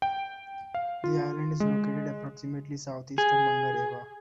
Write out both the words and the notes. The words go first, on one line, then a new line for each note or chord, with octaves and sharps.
The island is located approximately southeast of Mangareva.
G5
F5
F4
G#3
G#4